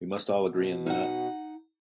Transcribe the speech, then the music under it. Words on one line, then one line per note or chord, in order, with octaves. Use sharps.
We must all agree in that.
B2
D#4 F#5